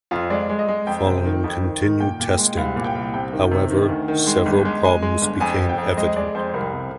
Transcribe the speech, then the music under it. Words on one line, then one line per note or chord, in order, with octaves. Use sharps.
Following continued testing, however, several problems became evident.
F2 F4
G#3 D5
G#3
D#5
G#3
F2 G5
C3
D#3
F2
D#3
D#3
A#2 G5
A#2
G5
G#3
C2 F5
A#2
G5
C2
C3 G5
D#3
C3
D#3
D2
D#3
G#3
G1
G#3
G#3 G#5
G#3
G1
F2 G#5
F2
G5
F2
G#3 D#5
G#3 D5
F2 C5
C2 A#4
C3